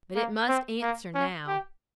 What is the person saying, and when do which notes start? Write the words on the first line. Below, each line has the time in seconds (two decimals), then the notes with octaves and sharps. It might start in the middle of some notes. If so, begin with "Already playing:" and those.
But it must answer now.
0.15 A#3
0.48 C4
0.81 A#3
1.15 C#4
1.47 G4